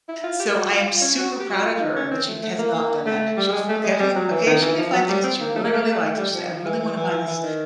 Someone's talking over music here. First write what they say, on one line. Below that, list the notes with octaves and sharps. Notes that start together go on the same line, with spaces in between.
So, I am super proud of her that she has not done that. She'll f occasionally occasionally find things that she really, really likes, and she's like, “I really wanna buy this”
E4
F4
G4
F#4
F4
F4
C#4
F#4
G4
F#4
F4
D#4
C#4
C4
A3
A3
A#3
A#3
A3
G3
G#3
A3
G#3
G3
F#3
E3
D#3
E3
F3
F#3
G3
C4
A#3
A3
A#3
A3
A#3
A3
G3
F3
F3
E3
E3
E3
E3
E3
D#3